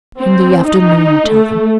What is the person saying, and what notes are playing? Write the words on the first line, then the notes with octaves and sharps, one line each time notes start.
'In the afternoon, tell them.
C4
D#4
A3